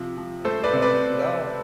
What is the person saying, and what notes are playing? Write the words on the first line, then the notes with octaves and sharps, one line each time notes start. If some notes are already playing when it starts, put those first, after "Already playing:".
And then if you don't
Already playing: C3 F3
F3
A3 A4 C5
B4 D5
C3
B4 D5